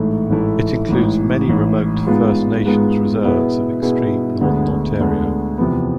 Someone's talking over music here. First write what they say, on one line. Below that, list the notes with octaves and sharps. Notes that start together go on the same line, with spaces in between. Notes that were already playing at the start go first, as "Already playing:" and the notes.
It includes many remote First Nations reserves of extreme Northern Ontario.
Already playing: A1 G#2 E3 A3 E4
A1 G#2 E3 A3 E4
A1 G#2 E3
A1 G#2 E3
G#2 G#3 B3 F4 B4
G#2 G#3 B3 F4 B4
B2 B3 E4 G#4 B4
B2 B3 E4 G#4 B4
D2 D3 G#3 B3
D2 D3 G#3 B3
E2 C3 F3 B3